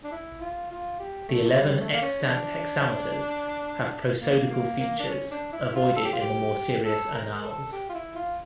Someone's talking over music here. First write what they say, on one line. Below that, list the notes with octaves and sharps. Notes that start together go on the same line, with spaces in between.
The eleven extant hexameters have prosodical features avoided in the more serious "Annales".
D4
E4
F4
F4
G4
A3
G3
A3
A#3
C#4
D4
A#3
A#3
A#3
D4
C#4
D4
E4
F4
A4
G4
F4
G4
A4
A#4
A4
G4
F4
E4
F4